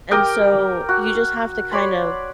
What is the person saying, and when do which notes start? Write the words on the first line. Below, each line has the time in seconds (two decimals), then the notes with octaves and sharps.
And so, you just have to, kind of,
0.11 G4 A#4 G5 D#6
0.89 F#4
1.72 C#5 D5 B5 C6